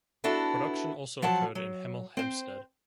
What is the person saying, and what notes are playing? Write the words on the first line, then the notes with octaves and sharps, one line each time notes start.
Production also occurred in Hemel Hempstead.
B3 D4 E4 F#4 A4
F3 F#3 F#5 A5
F#3
C4 C5